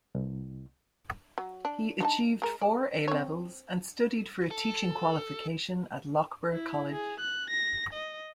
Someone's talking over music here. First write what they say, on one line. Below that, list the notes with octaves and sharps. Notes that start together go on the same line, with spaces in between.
He achieved four A levels and studied for a teaching qualification at Loughborough College.
C2
F#3
D4
D4 D#4 A5
G#3 A#4
D5
C4 C#5
A4
E4
G#4
F#6
A#6
D#5